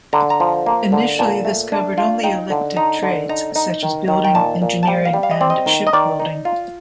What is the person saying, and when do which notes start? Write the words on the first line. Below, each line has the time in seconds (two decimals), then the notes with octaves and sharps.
Initially this covered only elected trades, such as building, engineering and shipbuilding.
0.13 D3 A#5
0.30 A#5
0.40 F3
0.66 A#3
0.92 D3
1.19 A#2 A5
1.45 A3
1.72 D4
1.98 F4
2.23 D#4 G5
2.50 D3
2.76 D#4 A#5
3.03 D3
3.29 D#4 A#5
3.56 D#4
3.83 D#3
4.08 D#3
4.25 G5
4.35 A#2 A5
4.62 A#2
4.83 A5
4.88 G3 G5
5.05 F5
5.13 G3
5.23 F5
5.31 D#5
5.41 C4 D5
5.50 D#5
5.66 D#3
5.87 D#5
5.93 D#3 D5
6.20 D#4
6.45 F4